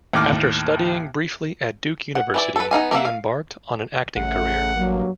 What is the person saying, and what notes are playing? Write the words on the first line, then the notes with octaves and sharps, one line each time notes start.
After studying briefly at Duke University, he embarked on an acting career.
D#2 A2 D6 F6
F#5
E3 E4 D5
A4 B4
B3 D#4 F5 G#5
A#3 A#4 D5 E5 F#5
F5
A1 C#3 A3 F#5
G2 F#3 A#3